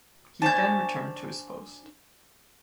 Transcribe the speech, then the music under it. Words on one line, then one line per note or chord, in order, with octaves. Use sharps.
He then returned to his post.
D4 C5 G#5 A5 G6